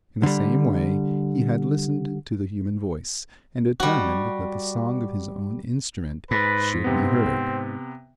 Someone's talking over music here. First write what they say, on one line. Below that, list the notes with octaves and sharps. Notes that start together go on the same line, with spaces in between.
In the same way he had listened to the human voice, and determined that the song of his own instrument should be heard.
D3 G3
G3 F#4
G#2 B4
C3 B3 C4